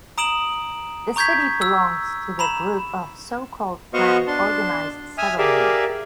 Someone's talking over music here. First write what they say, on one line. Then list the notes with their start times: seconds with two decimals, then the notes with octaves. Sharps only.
The city belongs to the group of so-called planned organized settlements.
0.18 A#5 D#6 D7 E7 F#7
1.16 A#5 C#6 G6 G#6 B6
1.61 E6
2.39 A#5 B5 E7
3.94 B3 F#4 C5 D#5 F5 C#6
4.27 D4 A5 C6
5.18 E5 G#5 D#6 F6
5.38 G4 G#4 A#4 D5 E5 F5